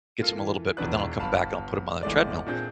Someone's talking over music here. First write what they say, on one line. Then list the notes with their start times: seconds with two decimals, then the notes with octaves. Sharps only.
Gets them a little bit but then I'll come back and I'll put 'em on a treadmill,
0.22 A#3 F4 A4
0.36 E3
0.77 E1 E2 F3 D4 B4 F#6
1.19 G1 F5 A5 B5
2.03 G1 E2 G#3 A3 D5
2.46 A#2 C4 D4 G#4 G6